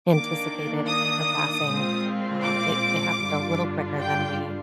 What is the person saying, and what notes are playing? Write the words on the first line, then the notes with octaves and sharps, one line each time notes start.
anticipated her passing, um, it it happened a little quicker than we
D#3 A#3 D4 D6
D#6
A#2 G#3 C4 F4
D6
G2 D3 G3 D4 F4
G5